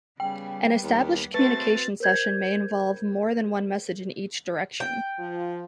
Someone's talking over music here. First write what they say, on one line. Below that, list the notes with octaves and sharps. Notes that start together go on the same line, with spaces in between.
An established communication session may involve more than one message in each direction.
C#3 G3 B3 G5
D#2
A3 C4 F#4 B4 A6
A#4 C5 G6 G#6
G5
F3 F4